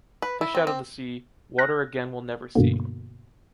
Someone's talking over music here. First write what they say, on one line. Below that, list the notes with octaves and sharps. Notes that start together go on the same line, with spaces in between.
Fish out of the sea, water again will never see.
B4
E4
C4
C4
F6 F#6 A#6
G2 B2 D3 A#3